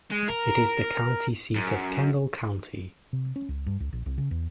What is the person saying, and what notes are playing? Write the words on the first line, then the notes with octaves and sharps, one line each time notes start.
It is the county seat of Kendall County.
G#3
A#4
F#2
C3
C#4
C#2
G2
C#2
A#1
C2
C#3
E2